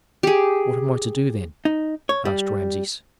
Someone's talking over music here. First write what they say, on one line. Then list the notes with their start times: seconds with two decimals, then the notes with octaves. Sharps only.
"What am I to do, then?" asked Rameses.
0.23 G4 G#4
1.65 D#4
2.09 C#5
2.25 G3